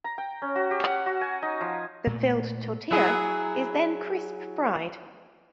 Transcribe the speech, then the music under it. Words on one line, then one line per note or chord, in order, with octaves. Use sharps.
The filled tortilla is then crisp-fried.
A#5
G5
C#4
F#4
G4
F#5
F#4
G#5
D#4
F3
A#2 A3
F#3 E4 G#4